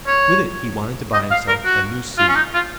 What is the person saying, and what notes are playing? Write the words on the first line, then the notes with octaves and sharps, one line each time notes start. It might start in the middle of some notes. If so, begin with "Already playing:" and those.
With it he wanted to buy himself a new suit.
C#5
D#5
F5
A#4
F#4
F4
C#4
D#4
F4